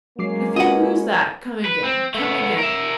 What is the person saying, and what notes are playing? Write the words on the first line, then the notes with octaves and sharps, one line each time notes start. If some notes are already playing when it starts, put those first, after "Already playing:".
"And if you lose that, come again, come again."
F#3 G#3 A#3 C#4 D6 C7
F4 F#4 B4 D#5 F#5
B4
C4
A3 B3
A#4 E5